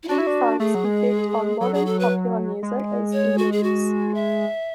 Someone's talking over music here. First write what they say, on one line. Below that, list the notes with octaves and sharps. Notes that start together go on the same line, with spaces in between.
P-Funk's effect on modern popular music is immense.
E4
D4 F#4
E4
D4
A3 G#4
F#3
G#3
F#3 A4
G#4
A4
B4
G#3
C#5
F#4
G#4
F#4
E5